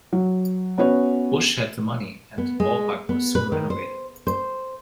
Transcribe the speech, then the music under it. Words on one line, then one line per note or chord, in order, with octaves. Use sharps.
Busch had the money, and the ballpark was soon renovated.
F#3
B3 C#4 F#4 B4 C#5
B3
G#3
B3
B4
D#3
C5
C5